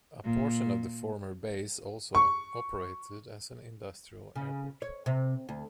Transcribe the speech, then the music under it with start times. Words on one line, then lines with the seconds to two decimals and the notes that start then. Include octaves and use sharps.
A portion of the former base also operated as an industrial airport.
0.24 A#2
2.15 C#6
4.36 C#3
4.82 C#5
5.06 C3
5.49 D2